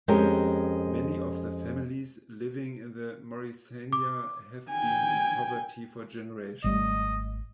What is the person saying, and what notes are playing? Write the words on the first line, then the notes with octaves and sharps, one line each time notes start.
Many of the families living in Morrisania have been in poverty for generations.
F2 G#3 C#4 G4 A#4
D6
G5 G#5
G#1 G3 A3 D#5